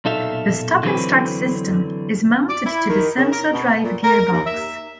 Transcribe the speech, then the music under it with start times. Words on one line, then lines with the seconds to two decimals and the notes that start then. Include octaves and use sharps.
The Stop and Start system is mounted to the SensoDrive gearbox.
0.05 B1 A#2 D#4 A4 E5 F5
0.83 D3 E3 F#3 C4 B4
2.49 D5
2.65 E4
2.89 D#3
3.16 C#3
3.30 A#4
3.51 B2
3.82 A#2
4.03 A#4
4.31 D#2
4.45 E5